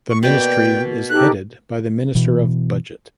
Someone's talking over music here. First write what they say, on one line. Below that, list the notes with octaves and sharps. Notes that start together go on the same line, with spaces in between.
The Ministry is headed by the Minister of Budget.
C#6
B2 A#3 D5 G5
D#4 G4 A4 F#6
B2 E3